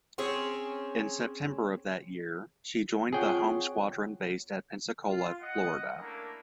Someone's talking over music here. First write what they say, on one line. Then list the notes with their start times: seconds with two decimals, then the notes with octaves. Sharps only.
In September of that year, she joined the Home Squadron based at Pensacola, Florida.
0.18 C4 C#4 G#4
3.13 C4 F4 G#4 C#5 F#5 G5
5.09 F4
5.41 D#5 F#5
6.00 A3 A#3 C#4 D4 E4 A#4